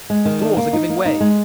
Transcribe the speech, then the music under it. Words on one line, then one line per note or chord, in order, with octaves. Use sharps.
The doors are giving way.'
G#3
D#3
D4
A#3
D#4
A#3
D#4
G#3